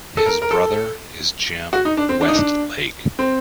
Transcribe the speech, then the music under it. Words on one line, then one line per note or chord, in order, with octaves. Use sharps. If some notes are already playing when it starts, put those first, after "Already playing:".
His brother is Jim Westlake.
A4
A#4
A#4
A4
F#4
D#4
D4
C4
D4
D#4
D4
C4